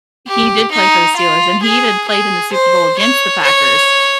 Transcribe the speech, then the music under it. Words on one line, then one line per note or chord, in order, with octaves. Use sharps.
he did play for the Steelers and he even played in the Super Bowl against the Packers,
G4
D#4
F4
G#4
G#4
C5
C#5
C#5